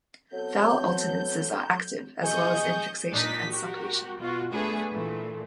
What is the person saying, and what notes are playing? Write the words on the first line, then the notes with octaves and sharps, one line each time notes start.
Vowel alternances are active, as well as infixation and suppletion.
F#3 B3 C4 A4 G6
G2 B2 G#4 D#5 C#6 D#6 G6
A#2 D4 D#4 A6 B6
F#4 G4 A#4
B2 F4 F#4
A3 B3 D4 G#4 B4
A#2 E3 A3